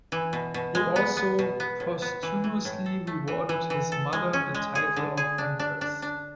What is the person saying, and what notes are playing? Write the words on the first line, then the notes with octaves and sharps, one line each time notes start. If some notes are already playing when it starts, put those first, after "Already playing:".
He also posthumously rewarded his mother the title of empress.
E3
B2
B2
G#3
B3
B3
B2
B3
A2
B3
E3
E3
A2
A4
A3
E3
E3
E3
A4
G#3
C#4
G#3
G#4
D3
G#4
D4
D4
D4
D4